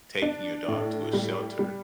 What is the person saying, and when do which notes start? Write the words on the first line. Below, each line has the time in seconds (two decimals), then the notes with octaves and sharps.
taking your dog to a shelter
0.22 D4
0.68 A2
1.13 G3
1.59 G3